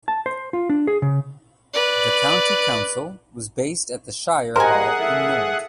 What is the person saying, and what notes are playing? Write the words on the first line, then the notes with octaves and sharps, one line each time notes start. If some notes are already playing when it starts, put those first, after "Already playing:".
The county council was based at the Shire Hall in Mold.
A5
C5
F4
D4
G#4
C#3
B4 D5
G4 G#4 A#4 C5 D#5 F#5 G#5
A4 E5